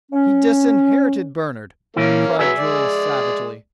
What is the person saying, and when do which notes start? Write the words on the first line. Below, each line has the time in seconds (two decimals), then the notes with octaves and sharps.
"He disinherited Bernard!" cried Julius savagely.
0.12 C#4
1.96 A#2 E3 A#3 C#4 E4
2.39 F#3 B3 G#4 E5 E6
2.58 G#3 D5